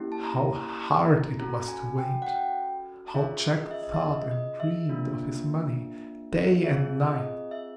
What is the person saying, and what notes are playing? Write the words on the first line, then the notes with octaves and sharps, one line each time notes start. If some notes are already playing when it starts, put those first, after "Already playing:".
How hard it was to wait! how Jack thought and dreamed of his money, day and night!
Already playing: A#3 C#4 E4 G4
A5
A#5
C#4 F#4 A4 A#5
G#5
G5
F#5
G5
C#4 F4 G#4 E5
D#5
E5
D#5
E5
D#5
D#5
E5
A#3 D4 F4
C4 F4 G#4 E5
D#5
E5